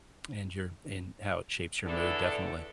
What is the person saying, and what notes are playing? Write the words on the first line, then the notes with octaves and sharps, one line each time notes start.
and your and how it shapes your mood, definitely.
E2 D3 D4 E4 A4 B4